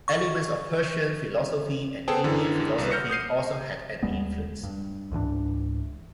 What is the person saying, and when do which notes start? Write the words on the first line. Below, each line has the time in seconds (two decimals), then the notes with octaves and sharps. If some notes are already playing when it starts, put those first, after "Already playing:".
Elements of Persian philosophy and Indian philosophy also had an influence.
0.08 C#6
2.08 B3 G#4 A4 C5 G5 A5
2.24 F#2 D3 E3
2.78 C2 B4
2.91 F6 G6 A#6 C#7
3.10 D#6 G6 C7 D#7
4.03 D#2 G3 G#3 B3
4.63 G2
5.11 C#2 G#2 E3 D4